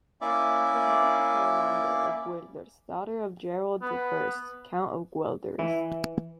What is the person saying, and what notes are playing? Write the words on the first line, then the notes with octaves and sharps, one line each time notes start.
He was married with Yolande of Guelders, daughter of Gerard I, Count of Guelders.
A#3 C#4 E4 D5 E5 D6
B3
E3